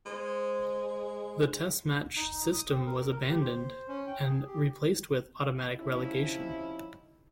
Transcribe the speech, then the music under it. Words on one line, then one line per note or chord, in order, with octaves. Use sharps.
The "test match" system was abandoned and replaced with automatic relegation.
G#3 C5
D#4
D#6
C4
A#4
G4
C5
C#4
G5
G#4
G4
C3 F3 C#4 D#4 E4